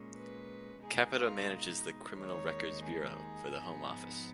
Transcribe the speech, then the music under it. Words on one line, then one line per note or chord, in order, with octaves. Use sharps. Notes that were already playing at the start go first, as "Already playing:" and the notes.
Capita manages the Criminal Records Bureau for the Home Office.
Already playing: A#2 G#3 C#4
B4
B2 G#3 D#4 G#4
F4
D#4
D#2 D#3 G#3 D#4 C#5
G#4
G#4
G#2 F3 B3 D#4